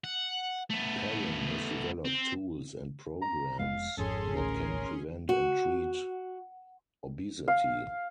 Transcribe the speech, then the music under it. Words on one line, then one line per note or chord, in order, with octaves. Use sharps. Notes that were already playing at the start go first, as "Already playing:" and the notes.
Perrin has developed tools and programs that can prevent and treat obesity.
F#5
A3 B3
C4
A#5
F1 G#3 B3 F5
G#1 F2 G#2 C#4 G#4 A4 C6
A1 D2 A#4
F#4
F5